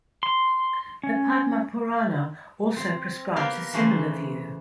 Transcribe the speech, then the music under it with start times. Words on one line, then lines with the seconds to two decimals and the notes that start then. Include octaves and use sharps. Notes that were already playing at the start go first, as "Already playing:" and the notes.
The Padma Purana also prescribes as similar view.
0.23 C6
1.03 C#4
2.76 C4
3.36 A#3 B3 G4 F5
3.73 C#3 E3 A3 B4 C5 G#5